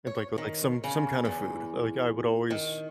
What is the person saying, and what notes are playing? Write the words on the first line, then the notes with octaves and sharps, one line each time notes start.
and, like like, some some kind of food. Like I would always
C#5
D#3
C#3
E2
D#3